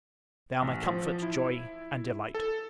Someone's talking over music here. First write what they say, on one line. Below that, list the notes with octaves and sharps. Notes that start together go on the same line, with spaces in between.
They are my comfort, joy, and delight.
A1
F3
E4
A4